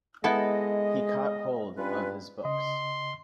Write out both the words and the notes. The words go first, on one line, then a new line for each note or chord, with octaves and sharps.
He caught hold of his books.
G#3 B3 E4 A4 D#5
G2 C#4 F4 B4
C#3 D#5 C6